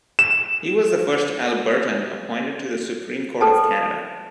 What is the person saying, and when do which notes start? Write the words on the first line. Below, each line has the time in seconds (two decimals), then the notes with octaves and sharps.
He was the first Albertan appointed to the Supreme Court of Canada.
0.19 E7
3.41 A4 B4 G5 A5